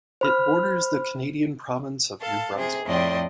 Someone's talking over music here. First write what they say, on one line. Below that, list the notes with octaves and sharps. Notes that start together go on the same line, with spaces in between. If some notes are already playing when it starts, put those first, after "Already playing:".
It borders the Canadian province of New Brunswick.
C5 B5 F6
A4 F5 A5
C3 G#4
F2 A2 D5 D#5 G5 C6